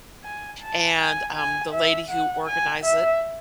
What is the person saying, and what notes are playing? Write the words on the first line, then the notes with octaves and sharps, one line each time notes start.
and, um, the lady who organized it
G#5
A5
G#5
G#5
E5
F#5
G#5
E5